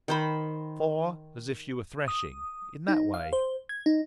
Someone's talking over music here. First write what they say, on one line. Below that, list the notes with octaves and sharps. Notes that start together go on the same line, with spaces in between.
Four, as if you were threshing--in that way.
D#3 C5 B5
D#6
D#4
F5
C5
G#6
D#4